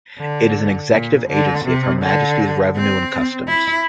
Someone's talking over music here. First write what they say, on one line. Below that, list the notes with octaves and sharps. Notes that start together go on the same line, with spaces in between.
It is an executive agency of Her Majesty's Revenue and Customs.
D3
A#2
D3
C3
D3
C4
E4